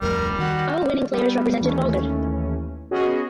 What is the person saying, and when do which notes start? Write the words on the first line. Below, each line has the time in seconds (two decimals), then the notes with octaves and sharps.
All winning players represented Augur.
0.02 D1 F2 G3 A3 A#4
0.39 D#3 F#4
1.12 G3 B3
1.60 D#2 E3 A3 C#4
2.91 B3 C#4 F#4 G#4 D#5